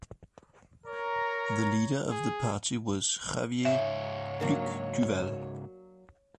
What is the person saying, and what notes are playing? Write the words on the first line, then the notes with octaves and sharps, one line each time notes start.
The Leader of the party was Xavier Luc Duval.
A#4 C#5 A#5
G#4
C#2 G#2 C#5 E5
F#3 A#3 D4